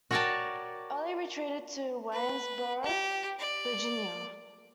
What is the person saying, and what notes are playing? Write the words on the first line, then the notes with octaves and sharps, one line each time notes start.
Early retreated to Waynesboro, Virginia.
F#4 A#4 C#5 D5 G5 A5
B4
G4
D5